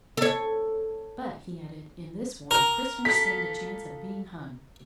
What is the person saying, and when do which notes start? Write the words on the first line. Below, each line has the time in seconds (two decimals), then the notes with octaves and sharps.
"But," he added, "in this war prisoners stand a chance of being hung."
0.17 A4 C#5
2.51 A#4
3.05 F4 A4 B6